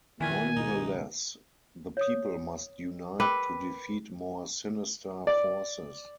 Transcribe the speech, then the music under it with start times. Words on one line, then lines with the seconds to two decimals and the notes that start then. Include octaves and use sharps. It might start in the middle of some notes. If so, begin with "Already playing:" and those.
Nonetheless, the people must unite to defeat more sinister forces.
0.20 A#2 D#3 E3 G#5
0.56 C#2 B2 G#3 D#4
1.97 C#5 D#6
3.20 A#4 B4 G5 D6
5.27 D5